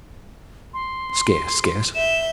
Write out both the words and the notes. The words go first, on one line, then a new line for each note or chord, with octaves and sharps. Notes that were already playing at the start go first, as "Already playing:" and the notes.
Scarce, scarce!'
C6
E5 G6 E7